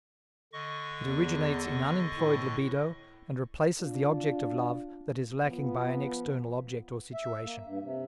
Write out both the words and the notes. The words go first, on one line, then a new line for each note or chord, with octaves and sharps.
It originates in unemployed libido and replaces the object of love that is lacking by an external object or situation.
D3 D#5 C#6
E2
A2
D4 F4
F3 B3
E5
A#3
G2
C3